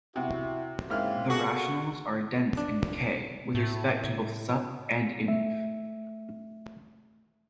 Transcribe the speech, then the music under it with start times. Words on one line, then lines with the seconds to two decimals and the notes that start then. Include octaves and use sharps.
The rationals are dense in "K" with respect to both sup and inf.
0.16 C3 E4 F#4
0.90 G#2 C#3 A#3 C4 E4 F6
1.30 A#3 F#4 G#4 A4
2.57 D4
3.55 A2
5.25 A3 E5